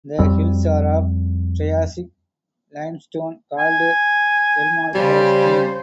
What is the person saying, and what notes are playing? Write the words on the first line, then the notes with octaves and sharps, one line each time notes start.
The hills are of a triassic limestone called "Elmkalkstein".
F2 G3 C4
G#5
C#3 G3 C5